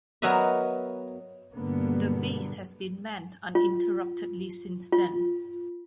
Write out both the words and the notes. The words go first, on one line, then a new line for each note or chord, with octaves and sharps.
The base has been manned uninterruptedly since then.
F#3 B3 F#4 A#4 D#5 E5
G2 B2 D3 G3 A#3 B3
F4
F4